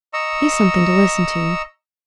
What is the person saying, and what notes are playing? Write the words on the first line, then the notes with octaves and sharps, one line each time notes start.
He's something to listen to.
D#5 A#5 C#6 E6